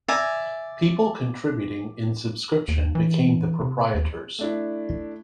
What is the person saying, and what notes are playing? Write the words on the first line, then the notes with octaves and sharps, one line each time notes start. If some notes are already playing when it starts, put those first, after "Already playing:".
People contributing in subscription became the proprietors.
D5 E5 G#5 A#5
D#2
E3
C3
D#2
A3 D4 E4